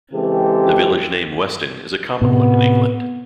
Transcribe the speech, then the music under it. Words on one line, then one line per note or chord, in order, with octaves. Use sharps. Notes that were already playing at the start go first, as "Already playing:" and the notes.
The village name 'Weston' is a common one in England.
C#3 E3 G#3 C4 G4 A4
A2 C3 B3